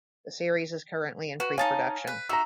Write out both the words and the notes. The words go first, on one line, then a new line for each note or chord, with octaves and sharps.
The series is currently in preproduction.
F#4 B4
D#4 C#5 F5 G#5 A5 D#6
B4
D#4 F#4 E5 A#5 E6